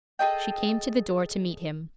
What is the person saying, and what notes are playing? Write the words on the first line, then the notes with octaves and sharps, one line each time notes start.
She came to the door to meet him.
G#4 A4 D#5 G5